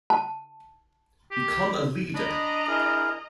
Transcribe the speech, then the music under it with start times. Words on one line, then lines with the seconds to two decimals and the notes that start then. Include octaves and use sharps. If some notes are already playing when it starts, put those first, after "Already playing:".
Become a leader!
0.10 A5
1.31 G4
2.15 D4 D#5 A#5 B5
2.67 E4 G#4 A#4